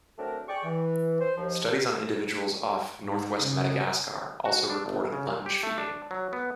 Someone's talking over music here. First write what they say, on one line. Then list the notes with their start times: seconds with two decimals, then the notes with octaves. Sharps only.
Studies on individuals off northwest Madagascar also reported lunge feeding.
0.18 F#3 A3 C4 D4 A#4
0.48 G#4 D5 G5 C#6
0.64 E3
1.20 C5
1.36 D#2 F3
3.04 G#2
3.42 C#3
4.45 F#4
4.70 D4
4.86 G1
5.12 C#3
5.27 A#2
5.46 G4
5.63 A3
5.78 D4
6.11 F#3
6.33 B3